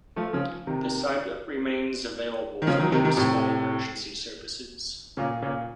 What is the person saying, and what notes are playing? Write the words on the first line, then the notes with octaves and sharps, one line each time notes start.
The site remains available for use by emergency services.
F3 A3
C#3 F3
C3 D#3
D#3
C#3 F3
D#3 F#3
C3 D#3
C3 D#3
A2 C3
A#2 C#3
A#2 C#3